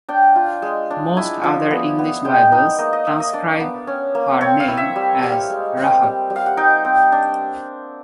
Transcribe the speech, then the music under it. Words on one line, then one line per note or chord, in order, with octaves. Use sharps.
Most other English Bibles transcribe her name as Rahab.
D4 G5
F4
G#3
D4
E4 G#5
F3
B3
B3
G#3 G5
D#4
A#3 D#5
D#5
A#3 E5
D#5
D4 D5
B3
C#4
A#3
C4 C#5
F5
E4
E5
G3
G3
F5
G#3
C4
G3
G3
F5
F#5
D#4 G5
C4
D4